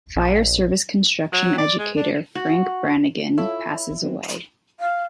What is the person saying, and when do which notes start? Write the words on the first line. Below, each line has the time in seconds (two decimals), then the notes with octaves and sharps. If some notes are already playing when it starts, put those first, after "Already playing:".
Fire service construction educator Frank Brannigan passes away.
0.16 A#1
1.32 F#3
1.58 D5
1.78 G#3
1.97 D4
2.35 F#4
3.38 E4 F4 A4 C#5
4.02 F#3 B3 C4
4.80 F5